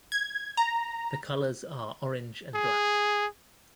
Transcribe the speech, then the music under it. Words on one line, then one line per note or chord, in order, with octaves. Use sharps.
The colors are orange and black.
G#6
A#5
G#4